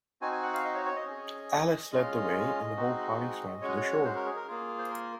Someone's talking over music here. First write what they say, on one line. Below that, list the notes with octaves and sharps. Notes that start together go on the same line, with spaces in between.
Alice led the way, and the whole party swam to the shore.
C4 D#4 F#4 G#5
G#5
F#5
F5
D#5
C#5
C#5
D#5
C#4 G#4
G#3 C#4 F4 D#5
G#3 C4 D#4 F#4
G#3 C#4 F#4 C#5
D#5
C#5
C5
A#4
G#4
A#4
A#3 F4 G#4
C5
A#4